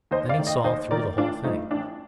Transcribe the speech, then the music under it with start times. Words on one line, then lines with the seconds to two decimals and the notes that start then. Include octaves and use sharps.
Then he saw through the whole thing.
0.11 D#2 C5 D#5
0.29 D5 F5
0.38 D#3 A3
0.47 D#5 G5
0.64 D#2 C5 D#5
0.91 D#3 A3 A#4 D5
1.17 A1 D4 F4
1.44 G2 F3 A3 D#4
1.71 A1 D4